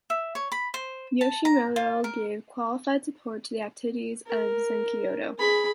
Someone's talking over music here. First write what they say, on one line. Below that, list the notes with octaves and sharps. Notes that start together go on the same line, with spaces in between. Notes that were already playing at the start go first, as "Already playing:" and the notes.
Yoshimoto gave qualified support to the activities of Zenkyoto.
E5
C#5
B5
C5
A5
A#5
F4
A#4
A#4
G#4 B5